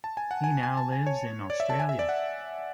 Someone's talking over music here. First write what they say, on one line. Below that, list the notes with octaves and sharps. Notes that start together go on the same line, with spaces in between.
He now lives in Australia.
A5
G#5
F#5
G#5
G#5
A5
G#5
C#5
D5
E5
A5
G#5
E5
D5
F#5